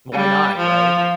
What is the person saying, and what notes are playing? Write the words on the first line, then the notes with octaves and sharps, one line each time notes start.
Why not, right?
G3
F3